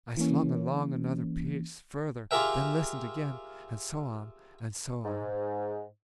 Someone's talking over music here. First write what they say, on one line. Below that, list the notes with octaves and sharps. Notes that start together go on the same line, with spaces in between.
I slunk along another piece further, then listened again; and so on, and so on.
E3 A#3 C#4
F4 G4 G#4 A#4 E5 G5
G#2